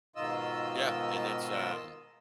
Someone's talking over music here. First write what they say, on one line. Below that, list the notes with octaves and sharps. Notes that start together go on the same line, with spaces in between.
Yeah, and that's, um,
G#2 B2 D#3 F4 D#5 E6